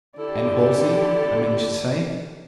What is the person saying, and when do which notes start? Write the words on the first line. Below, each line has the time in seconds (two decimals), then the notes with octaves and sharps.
"And Halsey?" I managed to say.
0.18 D3 E4 G4 A4 D5